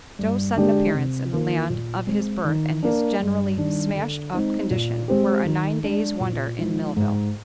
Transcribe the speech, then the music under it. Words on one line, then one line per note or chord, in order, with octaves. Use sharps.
Joe's sudden appearance in the land of his birth and his generally smashed up condition were a nine days' wonder in Millville.
G2
D3 G#3 D4 G4
C3
D#3 A#3 F4
A#2
G#3 C4
D#3
A#3 D4
G2
D#3 G3 D4
D3
G#3 C4 D#4
A#2
G#3 C4 G4
D#3
G#3 D4
A#2
F3 G#3 D#4
G#2